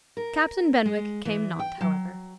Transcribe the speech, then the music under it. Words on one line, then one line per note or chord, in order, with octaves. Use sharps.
Captain Benwick came not, however.
A#4
G#3
E3
G5
F#3